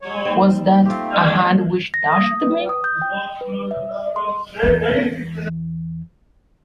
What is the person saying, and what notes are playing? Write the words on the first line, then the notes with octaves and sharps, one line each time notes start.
Was that a hand which touched me?
F#3 C#5
A#3 C4 D#4 G5
G3
A3 C4 F4 G4
G2
A#6
D#6
B4
D#6
G6
G5
B4
E5
C6
E2 E3